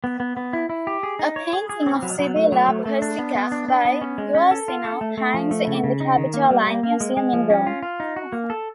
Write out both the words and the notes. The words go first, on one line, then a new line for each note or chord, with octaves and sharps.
A painting of Sibilla Persica by Guercino hangs in the Capitoline Museum in Rome.
B3
B3
B3
E4
E4
G4
G#4
D#4
C#5
G#4
G#4
C4
F#3
F#3
A3
F#3
A3
A3
D4
B3
B3
D4
D4
B3
C#4
G#3
C#4
A4
F4
A4
A3
A3
F3
A3
C#3
C#3
D#4
D#3
A#3
G3
A#3
A#3
G#3
G#3
F3
C#4
F4
F4
D#4
F#4
A#3
A4